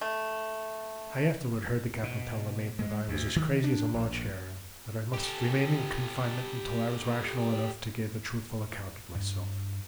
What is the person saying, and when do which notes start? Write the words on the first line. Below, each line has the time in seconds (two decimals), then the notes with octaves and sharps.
I afterward heard the captain tell the mate that I was as crazy as a March hare, and that I must remain in confinement until I was rational enough to give a truthful account of myself.
0.01 A3
2.03 B2
2.79 G#3
3.08 D2
3.36 D#3
3.64 D4
3.94 A#1
5.13 G4 A4
9.15 G2